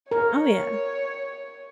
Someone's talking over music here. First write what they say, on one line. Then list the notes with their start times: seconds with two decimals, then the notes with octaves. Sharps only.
Oh yeah.
0.11 A#4 C#5